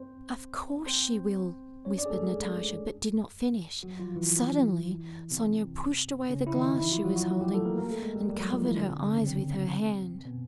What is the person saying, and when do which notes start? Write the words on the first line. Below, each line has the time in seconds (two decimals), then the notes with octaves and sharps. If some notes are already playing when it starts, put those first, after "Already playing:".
"Of course she will!" whispered Natasha, but did not finish... suddenly Sonya pushed away the glass she was holding and covered her eyes with her hand.
Already playing: C4 C5
0.86 C4 C5
1.85 C#4 C#5
1.98 D4 D5
2.05 G#4
2.10 A3 A4
2.23 G#3 G#4
3.83 F#3 F#4
3.99 F3 F4
4.16 E3 E4
5.31 C3 C4
6.30 C#3 C#4
6.47 E4
6.54 D#3 D#4
6.79 E3 E4
6.92 F3 F4
7.04 F#3 F#4
7.16 F#3 F#4
7.29 F#3 F#4
7.41 G3 G4
7.54 A3 A4
7.65 A#3 A#4
7.78 A#3 A#4
7.90 A3 A4
8.02 G#3 G#4
8.15 G3 G4
8.28 G3 G4
8.39 F#3 F#4
8.53 F3 F4
8.65 E3 E4
8.77 D3 D4
8.89 C3 C4
9.02 D3 D4
9.14 C#3 C#4
9.26 C3 C4
10.25 B2 B3